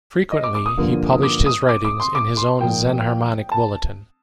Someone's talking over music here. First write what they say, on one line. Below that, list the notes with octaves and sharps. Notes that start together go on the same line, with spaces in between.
Frequently he published his writings in his own Xenharmonic Bulletin.
D#5
D6
D6
D#6
G2 D3 F3 A#3
D6
D#6
D6
D6
C6
D6
C6
A#2 F3 A#3 G5
A5